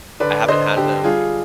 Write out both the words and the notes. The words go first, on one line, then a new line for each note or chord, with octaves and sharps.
I haven't had them
D3 B4 D5
D3 C5 D#5
D3 G4
G3 F4 G#4